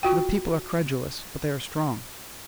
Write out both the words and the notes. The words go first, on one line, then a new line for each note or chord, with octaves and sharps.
For the people are credulous, but they are strong.
F4 F#4 G5